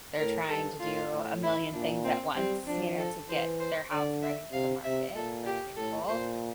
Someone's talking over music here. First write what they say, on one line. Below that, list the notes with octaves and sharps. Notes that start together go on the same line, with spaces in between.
they're trying to do a million things at once, you know, to get their house ready for the market, for example.
A2 A#4
G2 A4
A2 F4
A2
E4
A#2 D4
C4
G3 C4
F3 D4
A4
E3 C5
C5
D3 D5
E5
C3 F5
C3 E5
A#2 A4
G4
A2 A4
A#2 C5